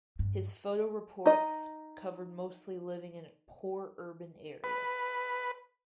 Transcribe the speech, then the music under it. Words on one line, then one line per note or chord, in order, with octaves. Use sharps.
His photo reports covered mostly living in poor urban areas.
G2
D#4 D#5
B4